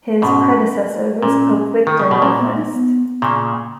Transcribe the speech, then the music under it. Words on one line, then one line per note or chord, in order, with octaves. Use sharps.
His predecessor was Pope Victor the First.
G#2 B2 C#4
A#2 C#4
D#3
C#3
B2
A#2 C#4
B3
D#4
B3
A#2 C#3